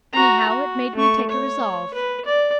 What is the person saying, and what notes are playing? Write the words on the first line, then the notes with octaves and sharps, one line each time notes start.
Anyhow, it made me take a resolve.
F#4 A#5
F#4
A3 C#6
C#5
B4
D5